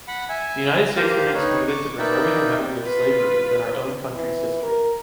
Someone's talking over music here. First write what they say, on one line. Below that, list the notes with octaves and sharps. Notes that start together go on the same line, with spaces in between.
The United States remains committed to preserving the memory of slavery within our own country’s history.
F#5 B5
E5 G#5
A#3 G4 C5 F5
D#4 B4 C#5
C#6 D6
A#3 D#4 B4 D5 E5 G5
F4 B4
E3
A#4